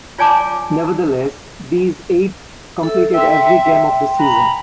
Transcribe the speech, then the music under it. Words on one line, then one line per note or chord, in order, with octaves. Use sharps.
Nevertheless, these eight completed every game of the season.
F4 C#5 D5 G#5 A5 D6
A4 E5 E6
E5 G5 C6
A#5 B5
G#5